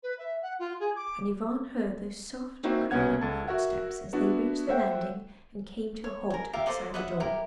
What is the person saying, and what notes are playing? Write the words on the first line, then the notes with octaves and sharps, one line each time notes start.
And Yvonne heard those soft, creeping footsteps as they reached the landing and came to a halt outside the door.
B4
E5
F#5
F4
G#4
D6
A#3 C4 D#4 E4 F#4 C5
C2 B2 B3 C#4 F#5 G#6
C#2 A4 A5
F#4 A#4 E5 F#5
B3 D4 E4 F#4
A3 C5 E5 F#5 G5
C#5
A#4 G#5
F4 G4 A#4 E5
A4 C5 D5 D#5
B4 D#5 E5 F#5
E4 G4 A#4